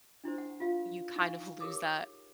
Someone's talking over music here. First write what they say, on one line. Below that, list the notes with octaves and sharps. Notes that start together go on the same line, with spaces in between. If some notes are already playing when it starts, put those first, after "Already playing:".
you kind of lose that
D4 E4 F#4 C5
F#5
F4 F#4 F5
D#4 E4 F5 G#5 C#6
G4 G#4 A#4 C#5 D6 D#6